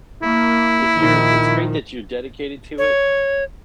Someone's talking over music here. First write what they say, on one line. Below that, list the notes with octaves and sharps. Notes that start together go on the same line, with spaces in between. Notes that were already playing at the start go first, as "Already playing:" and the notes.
if you're it's great that you're dedicated to it,
A#3 E4
A#2 D#3 F3
C#5